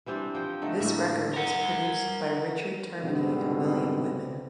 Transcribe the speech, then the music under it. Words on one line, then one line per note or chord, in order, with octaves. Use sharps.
This record was produced by Richard Termini and William Wittman.
E3 G3 C4 D4
F3 G5
D3 A3 D#4
A2 A#3 E5
A#4 F#5
C2 G#2 B2 D3 C4